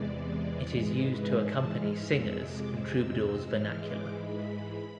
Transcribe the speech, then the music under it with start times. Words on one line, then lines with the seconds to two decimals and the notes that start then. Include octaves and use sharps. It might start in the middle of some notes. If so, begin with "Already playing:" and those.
It is used to accompany singers' and troubadours' vernacular.
Already playing: E2 C3 E3 G#3 D5
0.63 G#2 E3 G#3
0.97 B4
1.32 A5
1.66 F6
2.01 F2 C3 G#3 E6
2.35 D6
2.70 E6
3.39 G#2 E3 G#3 F6
3.74 D6
4.09 B5